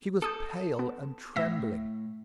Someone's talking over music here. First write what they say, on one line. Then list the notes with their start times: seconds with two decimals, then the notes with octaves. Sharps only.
She was pale and trembling.
0.22 A4 D6 D#6 G6
0.79 B3
1.36 A2 E5 A#6